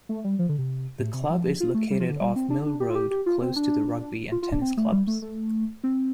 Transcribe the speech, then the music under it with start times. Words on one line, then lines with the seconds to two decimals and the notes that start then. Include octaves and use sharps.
The club is located off Mill Road close to the Rugby and Tennis Clubs.
0.09 A3
0.24 G3
0.39 F3
0.49 D3
0.58 C3
0.99 A2
1.14 C3
1.30 F3
1.60 F4
1.74 A3
1.90 G3
2.00 F3
2.10 D3
2.21 G3
2.36 C4
2.50 D4
2.66 D4
2.80 G4
2.90 F4
2.95 G4
3.11 G4
3.26 F4
3.42 C4
3.56 D4
4.32 F4
4.42 F4
4.52 D4
4.61 C4
4.77 A3
4.92 G3
5.07 A3
5.22 A3
5.84 C4